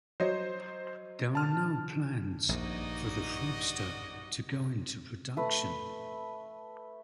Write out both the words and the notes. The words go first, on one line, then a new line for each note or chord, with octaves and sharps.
There are no plans for the Frogster to go into production.
F#3 C5 C#5 D#5
A5 F6
A#1 G2 D#4 F#4 D5 D#5
A3 B4